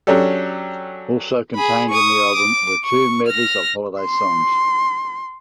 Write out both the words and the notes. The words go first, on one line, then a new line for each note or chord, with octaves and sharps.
Also contained in the album were two medleys of holiday songs.
F#3 C#4 D4 G4 A4
G#4 B5
C#6 D#6
D6
C#6
F6 A#6
C6